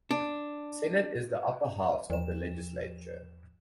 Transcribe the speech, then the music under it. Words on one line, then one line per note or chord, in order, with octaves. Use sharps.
The Senate is the upper house of the Legislature.
D4
E2 F3 E7